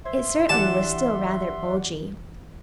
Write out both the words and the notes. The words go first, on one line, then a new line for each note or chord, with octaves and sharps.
It certainly was still rather bulgy.
C5 E5 C6 G#6
E3 D4 G4 D5 F#5 A5